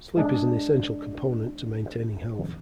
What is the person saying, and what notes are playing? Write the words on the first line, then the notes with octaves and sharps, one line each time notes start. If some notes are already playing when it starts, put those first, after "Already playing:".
Sleep is an essential component to maintaining health.
G#3 D4